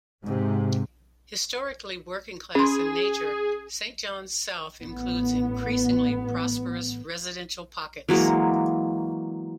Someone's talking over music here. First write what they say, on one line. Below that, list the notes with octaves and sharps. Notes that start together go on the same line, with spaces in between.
Historically working class in nature, Saint John's South includes increasingly prosperous residential pockets.
G#2 C3
C#4 G#4 C6
A1 B3
E3 F#3 G#3 A#3